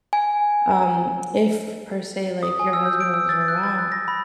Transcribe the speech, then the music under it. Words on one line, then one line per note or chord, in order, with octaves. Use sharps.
Um, if, per se, like, your husband wasn't around,
G#5
D#6
G#5
E6
G6
D7
E6
A6
F#6
A6
F#6
A#6
B5